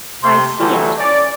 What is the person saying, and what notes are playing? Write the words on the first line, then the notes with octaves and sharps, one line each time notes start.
I see it!
C3 C6
D3 E3 F#3 G3 A3
C#4 D5